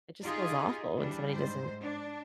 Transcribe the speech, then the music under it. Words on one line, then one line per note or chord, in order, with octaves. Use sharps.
it just feels awful when somebody doesn't
D#4 F4 G4 G#4 D#5
E3 G3 D4
G#2 C5
D4